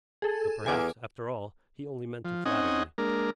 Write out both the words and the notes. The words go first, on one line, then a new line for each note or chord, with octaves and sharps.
But perhaps, after all, he only meant to flatter me.
G#4 A4
E2 G#5 D6
F3
C4 C#4 D#4 D#5 F#5 G#5
G#3 A#3 D4 A#4